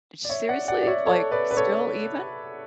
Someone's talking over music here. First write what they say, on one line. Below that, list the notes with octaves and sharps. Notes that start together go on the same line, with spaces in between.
seriously? Like, still even?
D5
C#5 E5
D5 F#5
D5 F#5
D5
C#5 E5
A4 C#5
B4 D5
B4
A4 C#5